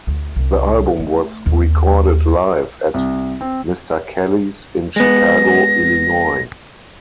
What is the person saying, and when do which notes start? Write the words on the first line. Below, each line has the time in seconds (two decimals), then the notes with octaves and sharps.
The album was recorded live at Mr. Kelly's in Chicago, Illinois.
0.07 D2
0.36 C2
1.00 A3
1.46 D#2
2.94 C2
3.41 C4
4.96 G#3 B3 A#6